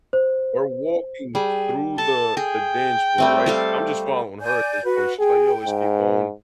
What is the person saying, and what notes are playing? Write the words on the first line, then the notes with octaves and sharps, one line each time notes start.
We're walking through the the dance floor, right? I'm just following her at this point, she's like, "Yo, let's keep going."
C5
G3 G#4
A4 A5
G#4 G5
G3 A3 C4
G3 A4 F5
D5 G#5 G6
F#4 B4
G#4 G5
G#2